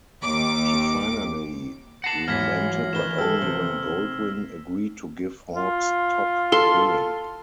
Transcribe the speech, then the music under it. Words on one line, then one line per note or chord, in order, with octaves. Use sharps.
He finally relented but only when Goldwyn agreed to give Hawks top billing.
D#2 D6
F#5 A5 A#6 C7 F#7
G#2 E3 F#3 F6 G#6 B6
D#3 D#4 B4 E7 G7
G4 A4 E6 F6
C3
F4
A4 C6